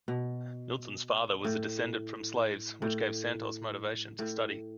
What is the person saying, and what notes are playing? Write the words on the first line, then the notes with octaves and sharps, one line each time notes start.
Milton's father was a descendant from slaves, which gave Santos motivation to study.
B2
A2
A2
A2